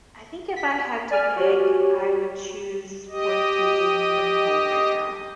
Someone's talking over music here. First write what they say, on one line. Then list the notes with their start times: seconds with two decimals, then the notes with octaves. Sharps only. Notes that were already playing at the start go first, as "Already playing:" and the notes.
I think if I had to pick, I would choose working from home right now.
0.56 B6
1.11 D5 G#5 F6
1.37 F#4 G4 C#5
3.09 G4 D#5